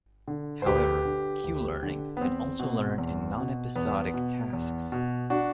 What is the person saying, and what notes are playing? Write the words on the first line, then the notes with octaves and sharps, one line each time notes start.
However, "Q"-learning can also learn in non-episodic tasks.
D3
C5
D2 G4 B4
D3
D2
D3
B3
E2 C4
B2
E2
B2
E2 B3
B2
E2
B2
D4 F#4